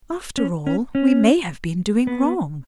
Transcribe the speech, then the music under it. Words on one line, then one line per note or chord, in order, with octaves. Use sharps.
'After all, we may have been doing wrong.
C#4
C#4
C#4
B3